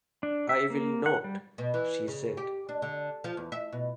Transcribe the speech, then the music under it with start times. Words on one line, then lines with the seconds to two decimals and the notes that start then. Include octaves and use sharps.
"I will not," she said.
0.23 D4
0.49 E5
0.70 A#3
1.06 F#5
1.24 G3
1.58 B2
1.74 E3
2.08 C#3
2.37 G4
2.69 D4
2.82 D3
3.24 F3
3.37 E2
3.52 E5
3.72 B2